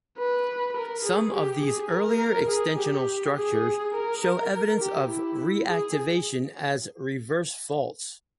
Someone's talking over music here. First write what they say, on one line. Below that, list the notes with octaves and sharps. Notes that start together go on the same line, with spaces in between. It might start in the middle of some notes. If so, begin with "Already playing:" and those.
Some of these earlier extensional structures show evidence of reactivation as reverse faults.
B4
A#4
G#4
G4
G#4
A#4
G#4
G4
G#4
A#4
G4
E4
G#4